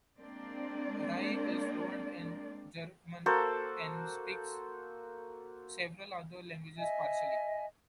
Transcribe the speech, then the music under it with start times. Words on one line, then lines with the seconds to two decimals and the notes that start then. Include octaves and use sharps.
Rae is fluent in German and speaks several other languages partially.
0.19 G#3 A#3 C4 D4 D5
3.26 A#3 F#4 A4 C5
6.78 D#5 E5 G#5